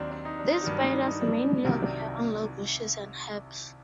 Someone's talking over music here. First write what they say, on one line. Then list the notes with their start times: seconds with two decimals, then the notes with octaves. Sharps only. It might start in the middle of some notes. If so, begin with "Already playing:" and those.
These spiders mainly occur on low bushes and herbs.
Already playing: D#2 D#3 F#3 C4 D4
0.11 D4
0.25 D#4
0.39 D4
0.52 D#4
0.62 G2 D#3 F#3 D4
0.80 D#4
0.94 D4
1.07 D#4
1.21 D4
1.65 C2 C3 D#3 F#3 F#4
1.82 D4